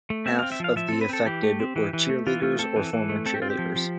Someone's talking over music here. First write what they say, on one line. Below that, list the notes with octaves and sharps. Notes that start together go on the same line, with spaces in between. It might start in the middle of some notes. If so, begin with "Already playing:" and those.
Half of the affected were cheerleaders or former cheerleaders.
A3
C4 E5
C4 F5
E5
F3 F5
F3 E5
C4 A4
B4
C4 A4
E3 G4
A3
C4
E3
E3
A3
E3 F4
A3 F4
C4 A4
E3
E3
A3
C4 A4
G4
C4 F4
G4
F3
F3